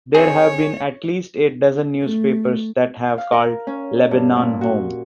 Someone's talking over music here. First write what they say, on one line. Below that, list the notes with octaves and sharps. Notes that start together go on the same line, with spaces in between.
There have been at least a dozen newspapers that have called Lebanon home.
C4 G#4 C#5
A3
F5
A#4
C#4
G2
A#2
F#4